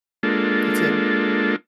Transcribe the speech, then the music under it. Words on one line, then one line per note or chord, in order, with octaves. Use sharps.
You too.
G#3 A#3 D4 F4 A4